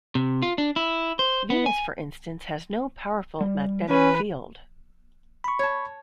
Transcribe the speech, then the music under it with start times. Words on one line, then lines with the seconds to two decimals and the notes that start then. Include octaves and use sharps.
Venus, for instance, has no powerful magnetic field.
0.15 C3
0.42 F4
0.58 D4
0.76 E4
1.19 C5
1.50 B3
1.66 G#5
3.41 G3
3.90 E3 C#4 B4 G#5
5.44 B5 C#6
5.59 C#5 A5